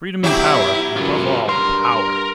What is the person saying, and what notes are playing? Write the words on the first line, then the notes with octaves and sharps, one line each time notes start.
Freedom and power, and above all, power!
B2 F#3 E4 G4
F#2 F4 B4
G2 A#4 C6